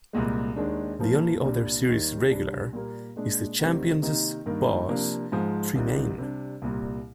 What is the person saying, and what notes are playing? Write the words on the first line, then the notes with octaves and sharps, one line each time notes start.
The only other series regular is the Champions' boss, Tremayne.
C2 A#2 G#3
D#2 D#3 G#3 D4
A#2 F3 A#3
C2 A#2 G3 D4
D#2 D#3 G3
C2 C3 G3 D4
A#2 G3 A#3
A#2 G#3 D4
D2 C3 D#3 G3 C4
C3 D#3 A#3 D#4
G2 D#3 A#3
C3 F3 A#3 D4
G#2 F3 G#3
C2 C3 D#3
C3 G3 D4
C2 A#2 G3